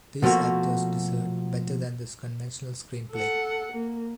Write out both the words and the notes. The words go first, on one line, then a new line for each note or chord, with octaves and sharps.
These actors deserved better than this conventional screenplay.
B2 F3 A3 A#3 F#4
A4 F#5
A#3